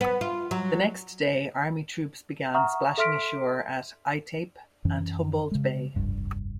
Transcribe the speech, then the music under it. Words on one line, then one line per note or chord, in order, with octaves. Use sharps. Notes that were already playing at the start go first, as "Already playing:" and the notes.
The next day, Army troops began splashing ashore at Aitape and Humboldt Bay.
B3
F4
F#3
E5 F#5 A#5 C#6 D#6 F6
A4 E5 C6 F6 B6 D7
F#2 E3 C#4
C#3 G#3
F1 C2 G2